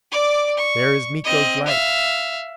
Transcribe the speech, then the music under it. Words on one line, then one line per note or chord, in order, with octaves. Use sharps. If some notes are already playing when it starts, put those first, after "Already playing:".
"There is Miko's light!"
D5 D6
C#6
C4 D#5
E5 F5